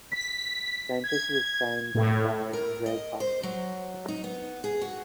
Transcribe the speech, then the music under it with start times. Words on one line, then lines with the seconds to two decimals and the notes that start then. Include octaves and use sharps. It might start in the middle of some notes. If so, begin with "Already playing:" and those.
Francis was signed by Greg Hopkins.
0.12 B6
1.04 G#6
1.95 A2
2.53 A#4
2.86 D#5
3.20 C5
3.43 F#3
4.08 D#4
4.24 B3
4.64 G#4
4.82 F#4